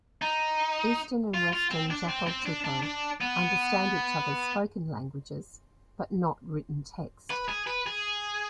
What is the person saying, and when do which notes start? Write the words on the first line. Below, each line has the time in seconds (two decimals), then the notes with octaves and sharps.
Eastern and Western Jakalteko understand each other's spoken languages, but not written text.
0.22 D#4
1.34 F4
1.53 F4
1.71 C4
1.90 D4
2.09 C4
2.27 C4
2.46 D4
2.65 D4
2.83 D4
3.21 B3
7.31 B4
7.49 G#4
7.67 B4
7.86 G#4